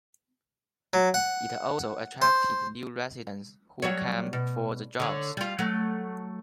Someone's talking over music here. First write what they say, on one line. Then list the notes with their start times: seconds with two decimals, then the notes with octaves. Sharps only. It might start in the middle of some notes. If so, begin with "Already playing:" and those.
It also attracted new residents who came for the jobs.
0.93 F#3
1.14 F#5
2.22 C5
3.82 F#3 G3 C#5
4.33 B2
5.00 D3 C#5
5.37 G3 F4
5.59 F#3 A3